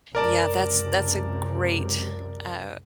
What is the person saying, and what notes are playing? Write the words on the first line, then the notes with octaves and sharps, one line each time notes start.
Yeah, that's that's a great, uh,
C#2 F#2 C3 A#4 D5 A5